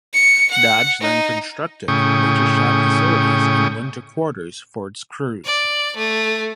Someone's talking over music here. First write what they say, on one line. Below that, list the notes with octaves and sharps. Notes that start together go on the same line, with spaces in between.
Dodge then constructed major shop facilities and winter quarters for its crews.
C#7
F#5
D#4
A2 C#3 G5 C#6 D#6
D5
A3